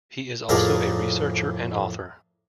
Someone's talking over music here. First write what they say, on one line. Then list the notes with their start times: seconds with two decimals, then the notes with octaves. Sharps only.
He is also a researcher and author.
0.49 F2 A2 G#4 A#4 D5